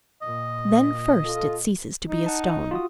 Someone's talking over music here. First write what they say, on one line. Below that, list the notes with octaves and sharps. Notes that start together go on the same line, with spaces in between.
Then first it ceases to be a stone.
A#2 D#5
F4 A4
D#4
F#5 A5
F4 F#4 D#6